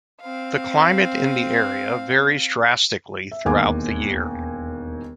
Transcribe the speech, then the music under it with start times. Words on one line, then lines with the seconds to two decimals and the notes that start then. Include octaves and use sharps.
The climate in the area varies drastically throughout the year.
0.21 C4 F5
3.32 E5
3.45 E1 D#2 G#5 D6